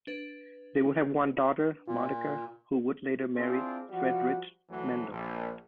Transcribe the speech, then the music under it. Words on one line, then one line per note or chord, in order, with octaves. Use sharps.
They would have one daughter, Monika, who would later marry Friedrich Mandl.
D4 B4
A#2 F4
C4 D4 E4 F4 G#4
F3 G3 F#4
D2 E3 F#3 A3
A#1